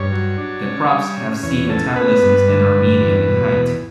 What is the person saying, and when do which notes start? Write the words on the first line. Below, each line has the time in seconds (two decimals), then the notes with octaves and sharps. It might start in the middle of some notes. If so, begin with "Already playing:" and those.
The crops have C metabolisms and are medium in height.
Already playing: G2 C#5
0.12 F#3
0.38 D4
0.65 C#3
0.90 G3
1.17 C#3
1.43 E2 C#5
1.69 C#3 A4
1.96 B3 B4
2.22 G2
2.48 D3
2.75 G2
3.01 E2
3.27 B2
3.53 E2